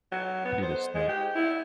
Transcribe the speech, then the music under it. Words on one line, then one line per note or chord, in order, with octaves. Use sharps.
pretty distinct,
F#3
B3
C5
G#3
G4
E4